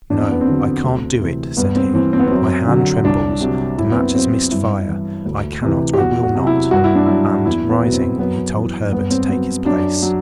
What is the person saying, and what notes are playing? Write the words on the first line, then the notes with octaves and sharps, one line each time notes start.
"No, I can't do it," said he, "my hand trembles, the match has missed fire; I cannot, I will not!" and rising, he told Herbert to take his place.
E2 D4
C4
B3
C4
D3 F#3
D2
C3 E3
G2 B3
C4
E3 C4
C4
B3
F#2 C4
D3 F#3
C2 D4
C3 F#3
F#2 E4
B3
C4
F#3 C4
G2 E4
E3
D2
C3 E3
G4
E2 F#4
F#4
C3 F#3
E4
G2 F#4
E4
D4
F#3 E4
E2 E4
B3
B2 F#3 B3
C4
F#2 B3
E3
G2 B3
C4
F#3 B3
F#2 D4
F#3